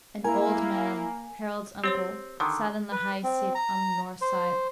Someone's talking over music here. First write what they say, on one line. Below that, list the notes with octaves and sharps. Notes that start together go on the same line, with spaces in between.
An old man, Harald's uncle, sat in the high seat on the north side.
A#3 E4 A#4 G#5
C4 G4 C#5 C6
D3 D#3 A#5
B4
C4
A#5
C5